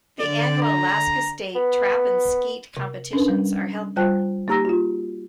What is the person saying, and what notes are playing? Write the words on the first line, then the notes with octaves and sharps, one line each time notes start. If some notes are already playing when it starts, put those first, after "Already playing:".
The annual Alaska State Trap and Skeet competitions are held there.
D3 D5
A#5
B3
C3
C#4 D4 A#4 B4
G3
G3 F4 C5 G5 A5 F#6
A#3 D#4 G4 A#5 E6 A#6
F4 F#4